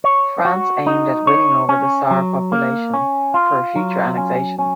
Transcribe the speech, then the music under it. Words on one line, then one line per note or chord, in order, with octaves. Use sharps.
France aimed at winning over the Saar population for a future annexation.
C#5
F#4
D#4
C#5
C#4
F#3
A#3
C#4
F4
F#3
C#4
C#4